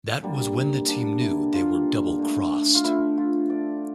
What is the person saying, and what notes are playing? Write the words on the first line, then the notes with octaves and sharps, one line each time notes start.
That was when the team knew they were double crossed.
D3 G3 A#3
D3 G3 A#3 D4
E4
D3 G3 A#3 F4
D3 A3
F4
D3 A3 E4
F4
D3 A3 D5